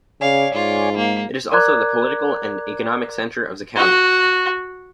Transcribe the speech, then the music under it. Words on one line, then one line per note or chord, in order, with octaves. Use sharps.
It is also the political and economic center of the county.
C#3 C#5 D5 F5 G#5
G#2 F4
G#3 A#3
A#4 D5 A#5 D6 F#6 G#6
F#4